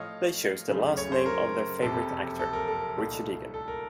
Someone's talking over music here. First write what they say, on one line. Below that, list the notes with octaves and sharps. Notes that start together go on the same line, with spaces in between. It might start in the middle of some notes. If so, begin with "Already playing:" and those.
They chose the last name of their favorite actor, Richard Egan.
Already playing: A2 F3 A3 C#5 D#5 F5
F#1 F#2 C#3 A3
C#5
C5
A#4
F#1 F2 C3 A4
A4
A#4
A4
C2 A#2 A3 D#4
A4
A#4